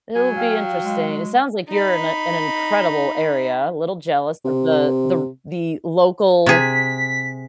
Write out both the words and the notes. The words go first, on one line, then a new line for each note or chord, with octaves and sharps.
it'll be interesting. It sounds like you're in a an incredible area. A little jealous of the the the local
F#3 G#5
F5 G5
G#3
D#4 B5
C3
C3 G#4 B6